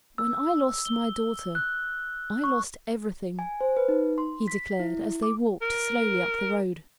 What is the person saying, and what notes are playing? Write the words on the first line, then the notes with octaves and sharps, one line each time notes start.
"When I lost my daughter, I lost everything," he declared, as they walked slowly up the road.
E6
G7
F#6
C#6
G#5
C5
B4
D#4
C6
B6
E4
D6
A#4